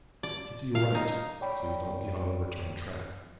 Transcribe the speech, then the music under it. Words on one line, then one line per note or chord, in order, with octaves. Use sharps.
Keep to your right so you don't get on the return track.
D5
F5
D#4
C#5 D5 G5 B5